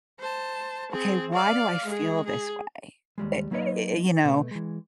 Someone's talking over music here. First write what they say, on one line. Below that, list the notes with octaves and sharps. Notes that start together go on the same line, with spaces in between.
"Okay. Why do I feel this way," i i you know?
C5 A5
C4 G#4
D5 F5
G#3 G#4
G#4
D#2 G3 G#3
F#3 A#3 D#4 B4 C#5 D#5
B2 A3
E3 G#3